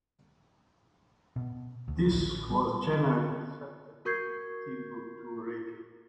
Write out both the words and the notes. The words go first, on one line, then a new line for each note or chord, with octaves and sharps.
This was generally accepted in the Timbuktu region.
B2
D2
A1
G3
F#4 A#4 C#6 G6 G#6 C7